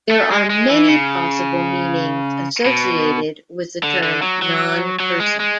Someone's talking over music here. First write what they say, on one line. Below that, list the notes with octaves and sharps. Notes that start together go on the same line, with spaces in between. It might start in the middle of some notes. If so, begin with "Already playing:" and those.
There are many possible meanings associated with the term "nonperson".
A3
G#3
G#3
E3
C#3
B2
D3
D3
F#3
F#3
F#3
G#3
G#3